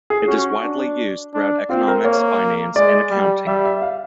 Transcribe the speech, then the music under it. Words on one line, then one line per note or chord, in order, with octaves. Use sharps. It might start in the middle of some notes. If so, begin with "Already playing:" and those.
It is widely used throughout economics, finance, and accounting.
G#4
C#4 F#4
D4
D4
C4 F4
A#4
A#3 C#5
G#3 D5
G3
G3 E5
E5
F5